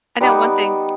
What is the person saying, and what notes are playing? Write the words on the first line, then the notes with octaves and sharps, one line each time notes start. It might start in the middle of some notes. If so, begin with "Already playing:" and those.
I know one thing
G3 B3 D#4 G4